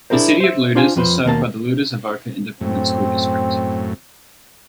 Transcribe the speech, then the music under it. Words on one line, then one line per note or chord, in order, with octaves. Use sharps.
The city of Lueders is served by the Lueders-Avoca Independent School District.
D4 E4 G#4 A#4 C5
C5 E5
D4 F4 C5 F5 G5 G#5
F2 F3 B4 C5
D#2 B2 A#3 A5
F#2 A2 C4